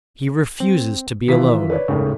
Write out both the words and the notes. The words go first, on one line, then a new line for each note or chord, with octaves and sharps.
He refuses to be alone.
C4
D#3 E3 F4 B6
B4 C#5 D5
G#1 D#2 A2 C#3